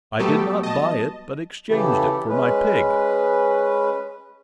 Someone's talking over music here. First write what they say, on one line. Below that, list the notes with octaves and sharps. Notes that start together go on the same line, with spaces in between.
"I did not buy it, but exchanged it for my pig."
F#3 G3 A3 B3 G4 A4
D#5 A5
C#3 E3 E4 G4 A4
G#3 C#4 B4